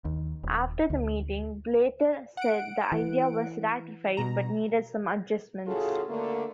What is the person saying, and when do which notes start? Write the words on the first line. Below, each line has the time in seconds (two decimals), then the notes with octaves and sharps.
After the meeting, Blatter said the idea was "ratified" but needed some adjustments.
0.05 D#2
0.43 D#1
0.90 D2
2.37 F#5 D7
2.92 E3
4.17 B2 A#5
5.67 A2 C#3 F4 F#4 G#4 A4
6.09 D3 A3 A#3